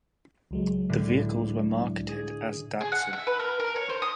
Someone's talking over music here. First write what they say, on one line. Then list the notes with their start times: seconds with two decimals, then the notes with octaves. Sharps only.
The vehicles were marketed as Datsun.
0.51 C#2 F#3 G#3
0.89 A2 D3
2.09 G#4
2.81 G#4
2.92 F#5
3.13 E5
3.27 B4
3.40 A#4
3.60 A#4
3.76 C#5
3.90 C5
4.02 D#6